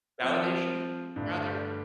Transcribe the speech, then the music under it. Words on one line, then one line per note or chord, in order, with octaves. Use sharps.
Validation rather?
F3 C4 F4 C5
G2 D3 A3